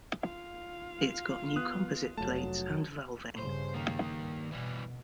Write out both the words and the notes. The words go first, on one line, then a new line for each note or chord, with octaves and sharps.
It got new composite plates and valving.
F4 F5
B3 D#6 F#6
F1 F#3 A3 A5
G2 C#3 C5
D#3 A#3
G2
B2 E3 G3